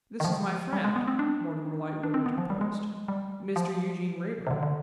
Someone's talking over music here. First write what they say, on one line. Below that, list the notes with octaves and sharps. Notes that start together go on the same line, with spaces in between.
'This is my friend,' Mortimer Lightwood interposed; 'Mr Eugene Wrayburn.'
D#3
F3
G3
G#3
B3
C4
D4
D4
C4
B3
F3
G3
G#3
G3
F3
C3
D3
D3